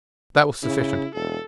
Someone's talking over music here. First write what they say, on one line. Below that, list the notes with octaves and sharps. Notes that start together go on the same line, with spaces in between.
That was sufficient.
C#3 E4
E1 A4